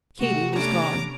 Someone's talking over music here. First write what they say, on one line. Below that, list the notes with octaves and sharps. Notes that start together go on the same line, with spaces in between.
Katy was gone.
C3 A3 F#4
B3 C#4 D4 A#5 D6